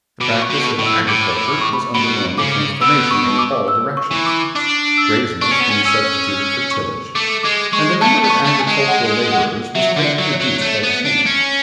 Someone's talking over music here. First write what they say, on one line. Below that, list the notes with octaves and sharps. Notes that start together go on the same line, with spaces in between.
The practice of agriculture was undergoing a transformation; in all directions grazing was being substituted for tillage, and the number of agricultural labourers was greatly reduced by the change.
B2 D6
C#6
B2
C#6
A2
E6
A2 D6
D6
D6
C#6
B5
B2 B5
C#3 D6
B2 E6
C#6
D6
E6
C#6
E3
D6
D4 D6
E6
D4 C#6
C#4
B3
C#4
C#4 E6
C#6
A3 D6
G#3 D6
G#3 C#6
A3 A5
B3
C#6
A3
G#5
G#3
F#5
F#5
F#3 E5
D3
D5
F#3
C#5
F#3
A3
B3
D4
C#4